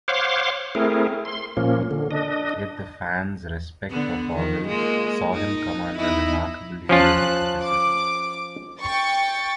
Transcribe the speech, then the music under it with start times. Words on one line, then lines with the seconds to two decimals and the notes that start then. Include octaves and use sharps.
Yet the fans' respect for Powell saw him come under remarkably little criticism.
0.08 C5 C#5 F5 F#5 C6 D6
0.75 A3 C4 E4 G#4 A#4
1.25 C6
1.57 A#2 F3 A#3 C#4
1.91 D3
2.11 D4 D#5
3.89 D3 B3
4.35 D#3 F3
4.68 G#3 A#3 F4
5.33 D#4
5.98 B3 D#4 E4
6.89 F3 C#4 F4 A5 F#6
7.63 D6
8.80 G5 C#6 A6